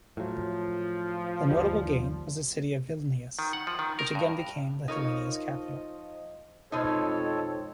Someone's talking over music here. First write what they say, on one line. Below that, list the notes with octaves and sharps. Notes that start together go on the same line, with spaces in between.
The notable gain was the city of Vilnius, which again became Lithuania's capital.
A2 F3 F#3
G1 D#2 G3
D#3
F#5
F3
D#3
A#4
G2
F3 D#4 A#4 C#5 D#5
F2 B2 G#3 C4 D#4 A4 C#5